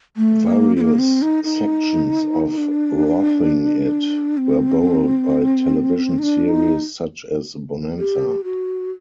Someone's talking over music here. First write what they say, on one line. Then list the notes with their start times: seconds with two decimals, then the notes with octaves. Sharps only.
Various sections of "Roughing It" were borrowed by television series such as "Bonanza".
0.17 A3
0.47 A#3
0.77 C4
0.81 A#3
0.99 C4
1.22 D#4
1.44 D#4
2.57 D4
4.38 C4
6.19 D#4
6.23 D4
6.48 D#4
7.99 G4
8.44 F#4